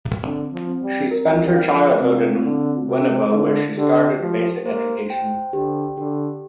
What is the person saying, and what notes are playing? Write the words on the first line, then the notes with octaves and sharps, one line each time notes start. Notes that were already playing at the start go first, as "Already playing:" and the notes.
She spent her childhood in Winneba where she started basic education.
D3 C4
F3
C4
G3
A#4
G3
F5
F3
C3 C4
D3 C4
C3 A#4
D3 F5
D3 G4
F3 G4
A#3 C5
G5
D3 G4
D3 G4